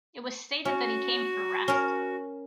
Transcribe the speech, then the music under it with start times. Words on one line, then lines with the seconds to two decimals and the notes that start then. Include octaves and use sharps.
It was stated that he came for rest.
0.65 C#4 F#4
1.68 C#4 A#4